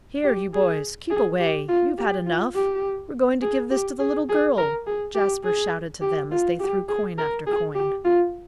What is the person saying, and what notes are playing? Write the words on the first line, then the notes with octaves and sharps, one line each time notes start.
"Here, you boys, keep away; you've had enough; we're going to give this to the little girl," Jasper shouted to them as they threw coin after coin.
G4
G#4
G#4
G4
F4
G4
F4
G4
G#4
G4
G#4
G#4
A#4
G#4
G4
G#4
G4
F4
G4
G#4
A#4
G#4
G4
F4